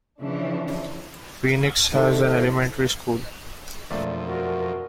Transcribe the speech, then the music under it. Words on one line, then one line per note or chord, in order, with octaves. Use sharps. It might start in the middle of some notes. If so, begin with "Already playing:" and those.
Phoenix has an elementary school.
C#3 E3 F3 D4
D#3 C4 D4 E4 A4
E1 F2 A3 D5
F#4 A#4